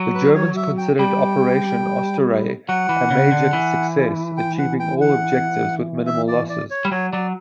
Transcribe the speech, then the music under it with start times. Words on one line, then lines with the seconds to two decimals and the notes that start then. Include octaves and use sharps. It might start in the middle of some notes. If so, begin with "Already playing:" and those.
The Germans considered Operation "Osterei" a major success, achieving all objectives with minimal losses.
Already playing: F#3
0.14 B4
0.35 C#5
0.57 E5
0.78 G5
0.98 G3 G5
2.68 F#3 F#5
2.89 E3
3.10 C#3
3.32 D3
3.53 E3
4.37 G5
4.59 F#5
4.80 G5
5.01 F#5
6.07 E5
6.28 D5
6.49 D5
6.70 C#5
6.85 G3
6.91 F#3 C#5
7.12 F#3 D5